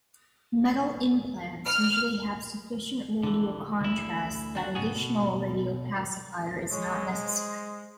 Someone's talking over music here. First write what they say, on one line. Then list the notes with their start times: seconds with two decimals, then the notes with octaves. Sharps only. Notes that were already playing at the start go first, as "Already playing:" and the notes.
Metal implants usually have sufficient radiocontrast that additional radiopacifier is not necessary.
1.65 F6
3.23 D3 E3
3.81 D2 E4
4.55 C4 D4 F#4
4.75 G#2 C#3 B3 F#4 G#4
4.96 B2
6.72 G#3 C#5
7.24 C5